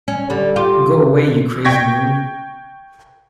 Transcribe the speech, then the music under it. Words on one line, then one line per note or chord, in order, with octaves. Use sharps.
Go away, you crazy loon!
C#4
D3 G3
F4 G4
G5 C#6 G#6 A#6 B6